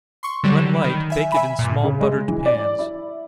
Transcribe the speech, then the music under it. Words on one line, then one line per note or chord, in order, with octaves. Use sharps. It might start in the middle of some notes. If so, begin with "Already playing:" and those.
When light, bake it in small buttered pans.
C6 C#6
D3 F#3 G3 E7
D#3 B5
E5 G#5
E5 G#5 B5
G2 A#2
C#3
G#3
E3
D5
E4